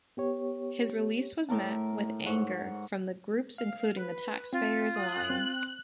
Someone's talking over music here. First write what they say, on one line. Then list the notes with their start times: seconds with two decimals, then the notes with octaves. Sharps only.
His release was met with anger from groups including the TaxPayers' Alliance.
0.17 B3 G4 C#5
1.49 A2 A#4 A5
2.26 G#2 C#5 F#5
3.58 F5
3.97 B4
4.53 C4 F4
4.96 D#6 F#6
5.30 C4